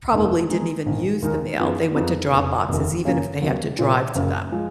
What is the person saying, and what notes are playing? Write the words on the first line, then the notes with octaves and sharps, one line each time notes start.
probably didn't even use the mail. They went to drop boxes even if they had to drive to them.
F1 D#2 D#3 A#3
D#3 G#3 D#4
A#1 G#2 D#3
D#2 D#3 G#3 D#4 A#4
F#2 F3 B3 D#4 G#4
F2 F3 B3 D#4 G#4
F1 F2 C#3
F1 D#2 D#3
F#2 C#3 F3 A#3 C#4
D#2 C#3 F#3 B3
A#2 F3 A#3 F4
F#1 F#2 C#3
F3 G#3